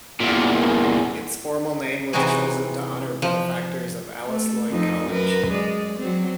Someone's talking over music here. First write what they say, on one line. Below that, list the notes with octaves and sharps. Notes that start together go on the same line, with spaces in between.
Its formal name was chosen to honor benefactors of Alice Lloyd College.
E2 A#2
C3 E3 D#4 E4 F#4 G#4
F3
A3
F2 D#4
F#2 A#4 B4
G#3 D5
F#3 C4